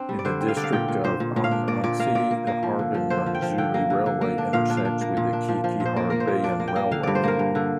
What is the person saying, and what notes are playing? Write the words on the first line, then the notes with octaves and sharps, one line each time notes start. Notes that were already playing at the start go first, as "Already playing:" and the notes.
In the district of Ang'angxi, the Harbin-Manzhouli Railway intersects with the Qiqihar-Bei'an Railway.
Already playing: C4 D4
G3
D5
D3 C5
C4
F5
D3 D5
F5
A#2 G5
A#2
A#2 C5
A#2
A#2
F5
D4
A#3 D5
A#2 D5
A#3 F5
A#2 D5
A#3
A#3
F3
D3
F3
D3 C5
F3
G5
F3
D3 G5
A#3
D3
D3
A#3
D4
A#2 F5
D4
F5
D4
A#3
A#2
D4
F3
F3
A#2
C5
A#3 D5
A#3 A#4
C5
A#2
D4 D5
A#3
G5
A#3
D3 F5
G2 D5
C5
A#3 A#4
G2
D3